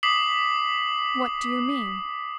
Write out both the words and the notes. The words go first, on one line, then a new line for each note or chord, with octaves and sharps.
"What do you mean?"
D6 D#6 B6 C7 F#7